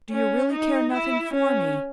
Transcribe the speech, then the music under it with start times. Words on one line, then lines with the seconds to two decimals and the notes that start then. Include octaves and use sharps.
Do you really care nothing for me?
0.10 C#4
0.52 D#4
0.93 E4
1.33 C#4